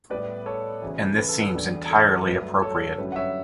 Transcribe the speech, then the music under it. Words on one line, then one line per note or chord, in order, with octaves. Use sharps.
And this seems entirely appropriate.
A2 G3 B3 E4 B4 D5
A4 C#5
D2 C#3 E3
B4
A4
B4
E2 D3 G3 D4
A4
G2 F#3 A3 B4
A4 C#5
F#2 D3 G3 C#4 E4 B4
F#5
C#5 E5